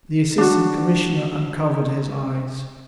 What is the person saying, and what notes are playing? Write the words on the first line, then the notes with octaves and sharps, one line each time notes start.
The Assistant Commissioner uncovered his eyes.
D4 F#4